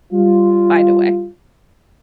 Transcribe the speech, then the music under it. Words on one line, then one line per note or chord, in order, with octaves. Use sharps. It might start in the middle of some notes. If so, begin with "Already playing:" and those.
find a way.
G3 F4